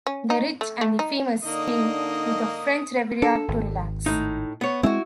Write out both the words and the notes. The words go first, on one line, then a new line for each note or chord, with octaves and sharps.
The rich and the famous came to the French Riviera to relax.
C#4
D#4
A3
A3
D#4
D3 A#3 D4 D#4 D#5 D#6
D4 A4
G#1
A2 D#4
B3 C#5
G#3 C4 E4 F#4